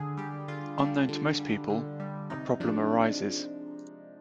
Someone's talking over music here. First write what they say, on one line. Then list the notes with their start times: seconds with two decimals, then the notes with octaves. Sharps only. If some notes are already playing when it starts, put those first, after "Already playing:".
Unknown to most people, a problem arises.
Already playing: D3 G#4
0.17 G3 G4
0.48 D3 F4
0.78 G3 D4
1.09 D3
1.39 G3
1.70 D3
2.00 G3
2.30 C3 D#4
2.60 F3 G#3 D4